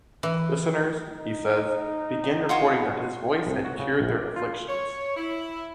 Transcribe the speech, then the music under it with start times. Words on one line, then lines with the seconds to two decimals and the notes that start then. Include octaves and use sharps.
Listeners, he says, began reporting that his voice had cured their afflictions.
0.23 E3
1.15 D#4
2.49 F4 F#4 C#5
3.47 C2
3.65 F#4
3.79 C#3
4.00 A#1
4.17 D5
4.36 F4
4.68 C#5
5.17 E4